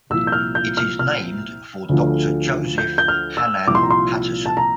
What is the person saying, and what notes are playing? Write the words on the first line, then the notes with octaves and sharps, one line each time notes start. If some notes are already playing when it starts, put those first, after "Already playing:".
It is named for Doctor Joseph Hanan Patterson.
C2 A#2 F3 E6
G6
F6
G6
F6
F6
D2 D3 F3
G6
G6
F6
E6
C2 A#2 F3 D6
C6
A#5
C6
A5
A#5